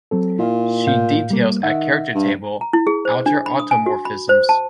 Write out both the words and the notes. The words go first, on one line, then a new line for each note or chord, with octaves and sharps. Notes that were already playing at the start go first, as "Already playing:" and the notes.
See details at character table: outer automorphisms.
F#3 C4 A4
A#2 E4 F5
A2 F5 G6
G3 A#3
D#3 E5 F#5
G2
A#5
E4
G#4
C5
D4
B5
D#6
G#5
F#4
B5
C5
A5